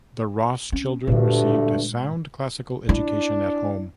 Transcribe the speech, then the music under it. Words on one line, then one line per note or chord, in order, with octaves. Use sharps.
The Ross children received a sound classical education at home.
C#4
D2 G2 A#2 G#3 A3
D4 E4